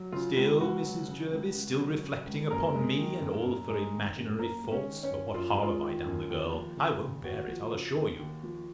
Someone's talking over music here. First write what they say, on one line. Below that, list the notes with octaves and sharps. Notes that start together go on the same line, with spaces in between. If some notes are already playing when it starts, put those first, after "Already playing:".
Still, Mrs. Jervis, still reflecting upon me, and all for imaginary faults! for what harm have I done the girl?--I won't bear it, I'll assure you.
Already playing: F#3
C#3 F4
C#2
C#2 F#4
F#3
C#3
C#2
C#2
F#3
C#3
C#2
F#2 A#3 A#4
G#3
D#3
F#2
F#2
G#3
D#3
F#2
F#2 A#3 A#4
G#3
C#4 C#5
D#3
C#4 C#5
F#2
F#2 F4
G#3
F4
D#3
F#2
D#2
F3
C#3
D#2
D#2 F#4
F3
C#3
D#2
D#2
F3